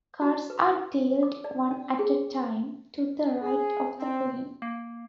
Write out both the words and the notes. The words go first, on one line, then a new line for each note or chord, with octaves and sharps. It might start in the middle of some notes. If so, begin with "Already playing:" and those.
Cards are dealt one at a time to the right of the Queen.
F#4
B4
D6
D5
C#4
G#4
G#4
C4
A#3